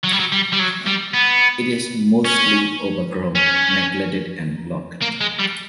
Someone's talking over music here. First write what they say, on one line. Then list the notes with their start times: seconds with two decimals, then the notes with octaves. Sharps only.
It is mostly overgrown, neglected and locked.
0.04 F#3
0.12 G3
0.20 F#3
0.32 G3
0.52 G3
0.59 F#3
0.87 G3
1.14 B3
2.25 C#4
3.35 C#4
5.02 A#3
5.21 G#3
5.39 G3